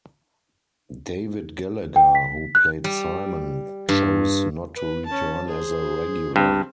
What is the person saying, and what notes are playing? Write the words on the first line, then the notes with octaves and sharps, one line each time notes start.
David Gallagher, who played Simon, chose not to return as a regular.
G5
B6
F#6
G3
G2
B4
C#4 A5
G#4 C5
G2 C4